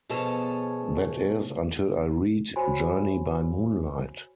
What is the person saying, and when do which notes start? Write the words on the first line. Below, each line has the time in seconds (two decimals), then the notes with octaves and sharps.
That is, until I read "Journey by Moonlight".
0.09 B2 F3 G#4 A4 C#5 A5
2.56 F#4 C5 C#5 G#5 B5 C6